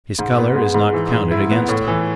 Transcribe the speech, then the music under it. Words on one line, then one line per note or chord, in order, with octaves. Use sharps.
His color is not counted against him.
G#2
B3
G#3
G#2
E3
G#2
E4
B3
A2
E3